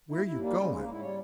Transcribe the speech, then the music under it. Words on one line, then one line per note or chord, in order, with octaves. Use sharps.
Where you going?
D#2 E4
D#2 E4
G3 A#3
C#3 G#3
G#2 G#3
A#3
G#2 E4
G3 C#5